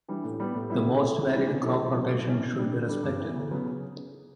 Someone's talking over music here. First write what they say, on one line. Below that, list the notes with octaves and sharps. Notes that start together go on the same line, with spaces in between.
The most varied crop rotation should be respected.
E3 G3 D4
A2
G3 B3
A2
G3 B3 E4 G4
D3
A3 E4 A4
C#2
C#3 E3 G3 D4
B2
F#3 C#4 E4 A4
C#2
B2 F#3
A2
G3 C#4 E4
B2
G3 D4
D3
G3 D4 A4
G2
E3 B3
D2
C#3 F#3 B3
C#3